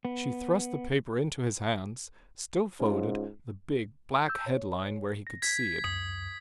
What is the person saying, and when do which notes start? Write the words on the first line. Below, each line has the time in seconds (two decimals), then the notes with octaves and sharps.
She thrust the paper into his hands, still folded, the big, black headline where he could see it.
0.05 B3
2.80 G#2 C#4 F4
4.28 E6 G6
4.46 C#5
5.27 A#6
5.42 G#6 B6
5.84 C#2 F#2 D#6